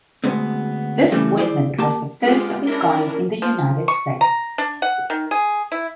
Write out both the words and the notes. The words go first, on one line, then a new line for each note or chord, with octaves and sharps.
This appointment was the first of its kind in the United States.
D2 G#2 B2 G#3 B3 C4
C#3 E3 G3 A3 C4
E4 G#4 C5 D5
A#3 G4 A5
G#3 B3 F4 G4
C#4 D4 E4 A#4
F3
C#6
A#5
D4
F#5
D#3
G#4
E4